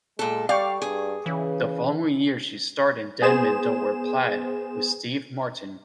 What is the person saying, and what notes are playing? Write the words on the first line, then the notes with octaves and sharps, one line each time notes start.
The following year she starred in "Dead Men Don't Wear Plaid" with Steve Martin.
A#2 G#3 A4
G3 D5 F5 G5 C#6
G2 G#4
C#3 E3
B3 G#4 C5 E7